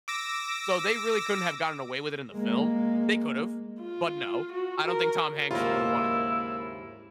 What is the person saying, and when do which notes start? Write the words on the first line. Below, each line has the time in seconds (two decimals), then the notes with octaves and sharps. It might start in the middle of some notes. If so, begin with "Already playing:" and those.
So, they really couldn't have gotten away with it in the film. They could have, but no. I don't think Tom Hanks would have wanted that.
0.08 D6 E6 A#6
2.33 G#3 A#3
3.81 F4
4.52 F#4
4.87 A#4
5.51 D#2 G#2 C#3 A#3 E4 F4